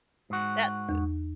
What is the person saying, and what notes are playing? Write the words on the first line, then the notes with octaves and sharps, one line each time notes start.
That, uh,
G#2 F#4
E2